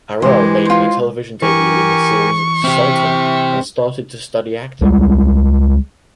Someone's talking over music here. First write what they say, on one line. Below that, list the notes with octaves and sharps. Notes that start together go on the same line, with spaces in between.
Aral made her television debut in the series "Sultan" and started to study acting.
E3 G#3 G4 C5
F4 C5
E3 G4 A#4 G#5 C#6
C4 G4 E5 F6
C#2 G3 G#3